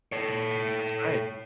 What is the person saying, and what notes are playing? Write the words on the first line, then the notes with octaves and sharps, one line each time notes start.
That's great.
A4 C#5